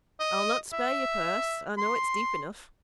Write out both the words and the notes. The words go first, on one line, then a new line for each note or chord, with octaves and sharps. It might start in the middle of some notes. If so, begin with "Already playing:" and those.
I'll not spare your purse,--I know it's deep enough.
D#5
E5
C6